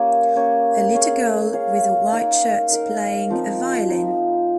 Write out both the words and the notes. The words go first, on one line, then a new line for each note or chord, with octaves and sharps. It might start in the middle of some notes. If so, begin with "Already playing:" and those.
A little girl with a white shirt playing a violin.
Already playing: A#3 C#4 G4 C#5
A#3 C#4 G4 C#5
C#4 G#4 C#5 F5
C#4 G#4 C#5 F5
D#4 A#4 F5
D#4 A#4 F5
F3 C4 D#4
F3 C4 D#4